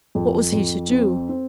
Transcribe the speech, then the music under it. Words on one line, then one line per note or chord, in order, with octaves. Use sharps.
What was he to do?
F2
F2
C4
C4